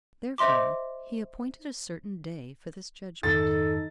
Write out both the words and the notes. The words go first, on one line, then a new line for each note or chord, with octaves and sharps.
Therefore he appointed a certain day for this judgment.
C5 D#5 E5 C6 D6
F2 G#2 D#3 D#4 A4 A6